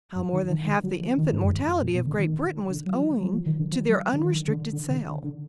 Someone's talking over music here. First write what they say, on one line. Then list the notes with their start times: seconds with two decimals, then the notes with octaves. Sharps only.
How more than half the infant mortality of Great Britain was owing to their unrestricted sale.
0.16 F#2
0.33 D#3
0.50 D#3
0.67 D3
0.84 F#3
1.01 F3
1.18 D#3
1.32 G#2
1.44 F#2
1.69 G#2
1.81 A#2
1.94 B2
2.07 D3
2.19 D#3
2.70 D3
2.86 F#3
2.95 F3
3.21 F#3
3.34 F3
3.46 D#3
3.59 D3
3.72 F3
3.89 F#3
4.13 D3
4.23 D#3
4.48 D3
4.73 D3
4.90 D3
5.07 D3
5.24 D3